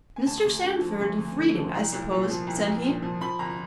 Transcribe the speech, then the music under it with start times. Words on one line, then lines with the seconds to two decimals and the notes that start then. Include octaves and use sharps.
"Mr. Sandeford, of Reading, I suppose?" said he.
0.16 G#5
0.26 D2 A5
0.45 D2
0.63 D3
0.81 F3
1.00 D2
1.18 D2
1.37 D3
1.55 F3
1.74 C2 A#5
1.92 C2
2.11 A#2
2.29 F3
2.47 C2
2.66 C2
2.85 A#2
3.02 F3
3.21 F3 B5
3.39 G1 A#5